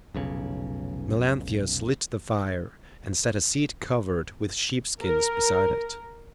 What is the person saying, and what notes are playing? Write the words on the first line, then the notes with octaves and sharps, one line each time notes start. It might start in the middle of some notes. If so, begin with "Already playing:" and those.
Melanthius lit the fire, and set a seat covered with sheep skins beside it.
F1 B1 C#3
A#4